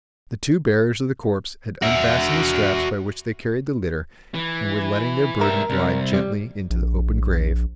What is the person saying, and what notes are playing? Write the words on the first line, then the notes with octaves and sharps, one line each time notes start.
The two bearers of the corpse had unfastened the straps by which they carried the litter, and were letting their burden glide gently into the open grave.
F#4 E5
E3
G2 A#4 E5
C2
G3
A#1